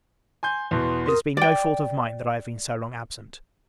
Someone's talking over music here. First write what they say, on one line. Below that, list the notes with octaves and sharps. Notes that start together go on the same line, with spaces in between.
It has been no fault of mine, that I have been so long absent.
G#5 C6 G6
E2 B2 B3 C6
A#4 C6 D#6
D5 G5